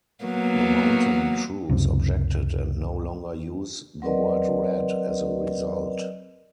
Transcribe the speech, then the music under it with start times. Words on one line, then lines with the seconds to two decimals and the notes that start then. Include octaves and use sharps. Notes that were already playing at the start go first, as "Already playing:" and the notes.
The mountain troops objected, and no longer use the word 'red' as a result.
0.24 F#3 A#3 B3
1.69 C#2 F#2 C3
4.02 F#3 C4 A#4 B4 D5 D#5